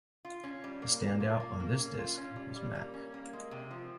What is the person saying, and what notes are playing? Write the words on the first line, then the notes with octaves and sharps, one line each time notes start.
The standout on this disc was Mac.
F4
C#4
G3
A#3
A#3
F4
A#3
A#3
C#4
F4
C#4
G3
G3
A#3
C#4
A#3
G#3
C3
F3